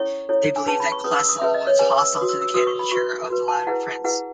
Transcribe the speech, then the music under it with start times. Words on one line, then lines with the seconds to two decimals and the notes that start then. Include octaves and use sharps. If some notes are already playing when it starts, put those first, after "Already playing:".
They believed that Klesl was hostile to the candidature of the latter prince.
Already playing: C#4 E4 A4 C#5 C#6
0.29 C#4 E4 A4 C#5
0.56 G#5
0.66 C#4 G#4 B4 A5
0.80 B5
0.92 C#6
1.04 C#4 G#4 B4 D#6
1.16 E6
1.29 D#6
1.42 C#4 G#4 B4 E5
1.54 D#5
1.67 C#5
1.79 C#4 G#4 B4 G#5
1.98 E6
2.17 F#4 B4 D#6
2.29 E6
2.42 E6
2.54 F#4 B4 D#6
2.67 C#6
2.79 B5
2.92 F#4 B4 C#6
3.30 F#4 B4
3.48 A5
3.67 E4 G#4 B4 F#5
4.04 E4 G#4 B4 F#5